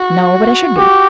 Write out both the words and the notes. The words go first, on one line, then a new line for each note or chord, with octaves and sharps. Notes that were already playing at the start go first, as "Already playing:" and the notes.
"No--but I should be."
Already playing: F#4
G4